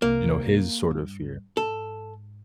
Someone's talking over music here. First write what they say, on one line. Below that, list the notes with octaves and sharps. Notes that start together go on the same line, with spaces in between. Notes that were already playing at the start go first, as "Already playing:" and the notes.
you know, his sort of fear.
C2 A#3
G2
G#2 A4